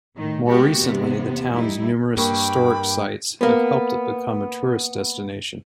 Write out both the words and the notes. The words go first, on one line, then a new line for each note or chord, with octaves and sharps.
More recently, the town's numerous historic sites have helped it become a tourist destination.
A2 D#3
G#3 A3 B3 F#4 G4
E2 C3 B3
G3 A#3 D#4 E4
G2 A#3 G5 B5 C#6
A#3 B3